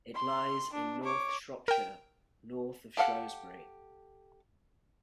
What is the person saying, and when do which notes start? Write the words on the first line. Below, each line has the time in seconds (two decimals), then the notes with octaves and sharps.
It lies in North Shropshire, north of Shrewsbury.
0.15 C6
0.73 D4
1.04 C#5 D6
1.68 A#4 G5
2.97 G4 A4 F5 F#5